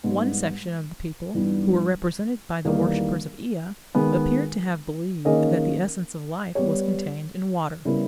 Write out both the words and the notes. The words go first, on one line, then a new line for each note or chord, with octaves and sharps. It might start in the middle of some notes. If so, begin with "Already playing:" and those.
One section of the people, who were represented by the worshippers of Ea, appear to have believed that the essence of life was contained in water.
G#2 G3 B3
G2 E3 G3 B3 D#4
E2 D#3 G3 A#3 D#4
D#3 G#3 B3
D#3 A#3 C#4 G#4 D#5
G3 B3 G4 C#5
C#3 G3 B3 E4 A#4